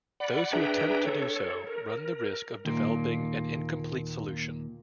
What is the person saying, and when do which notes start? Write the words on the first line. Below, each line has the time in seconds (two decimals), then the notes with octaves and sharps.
Those who attempt to do so run the risk of developing an incomplete solution.
0.20 D5 F#5 B5
0.53 D4 G#4 B4 E5 G5 A#5
1.06 A4 C#5
1.67 A#4
2.65 D#2 A#2 A#3